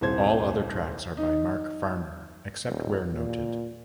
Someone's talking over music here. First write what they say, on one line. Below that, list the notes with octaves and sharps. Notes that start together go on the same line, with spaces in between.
All other tracks are by Mark Farner, except where noted.
D#1 C2 C5 G#6
D#4
D#1
A#2